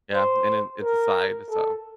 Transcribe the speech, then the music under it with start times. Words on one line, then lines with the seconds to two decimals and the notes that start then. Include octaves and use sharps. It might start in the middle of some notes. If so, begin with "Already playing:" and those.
yeah, and then it's a side, so
0.14 C5
0.83 A#4
1.51 A4